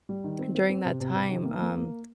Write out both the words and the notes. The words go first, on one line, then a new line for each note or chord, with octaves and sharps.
during that time, um,
G3
D#3
C4
C4
C4
C3
C3
C3
D#3
A#3
A#3
A#3